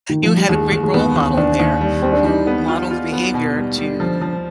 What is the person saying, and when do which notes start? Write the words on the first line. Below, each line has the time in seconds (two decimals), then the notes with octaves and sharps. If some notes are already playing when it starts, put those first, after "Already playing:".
You had a great role model there who modeled the behavior to,
0.09 D#3
0.23 F3
0.36 G3
0.49 D#2 G#3
0.72 D#2
0.83 G#3
0.94 D#2 B3
1.16 D#2
1.33 C4
1.37 D#2 D4
1.60 D#2
1.81 G3
2.02 G3 C4
2.13 D4
2.24 G3 D#4
2.47 B3
2.68 F4
2.91 F4
3.12 B3
3.34 B2
3.56 G3
3.78 G3
4.00 F3
4.21 F3